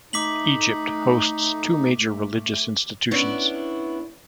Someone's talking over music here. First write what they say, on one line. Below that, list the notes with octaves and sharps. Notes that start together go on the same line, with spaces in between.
Egypt hosts two major religious institutions.
A3 D#4 D6 B6 F#7
B3 C#4 D4 E4